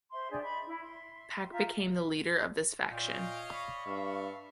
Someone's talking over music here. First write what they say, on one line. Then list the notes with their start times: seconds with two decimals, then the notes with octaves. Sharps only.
Pak became the leader of this faction.
0.11 C5 E5 C6
0.31 D4 G4 G#4 D5
0.42 D#5 E5 B5
0.67 E4
0.81 E5 C6
1.50 F4 G4 E5 A#5
2.91 A#2 C#5 D#5 F5 G5
3.50 D5 B5 C#6
3.87 G2 E5 F5